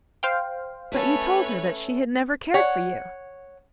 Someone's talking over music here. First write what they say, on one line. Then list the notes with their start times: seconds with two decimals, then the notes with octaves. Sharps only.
"But you told her that she had never cared for you."
0.23 C5 F5 G5
0.92 A3 C#4 A4 B4 C#5
2.54 C#5 F#5